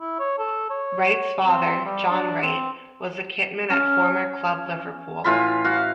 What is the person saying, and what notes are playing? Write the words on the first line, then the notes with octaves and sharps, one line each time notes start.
Wright's father, John Wright, was a kitman at former club Liverpool.
E4
C#5
A4
C#5
C4
G3
D4
C4
C#4
A2 E3 F4 B5
F#4 F5